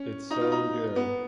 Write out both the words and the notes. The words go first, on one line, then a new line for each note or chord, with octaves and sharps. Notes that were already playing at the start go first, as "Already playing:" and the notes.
it's so good.
Already playing: C#4
D#4
F4
D#4
B3